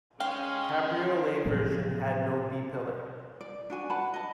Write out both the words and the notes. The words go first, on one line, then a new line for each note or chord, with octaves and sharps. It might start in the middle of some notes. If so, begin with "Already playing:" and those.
Cabriolet version had no B-pillar.
G#3 C#4 F5 G5
A2 F3 F#3 B3
D5
D4 F#4 G#5
B4 F#5 A5 B5
D#5 A5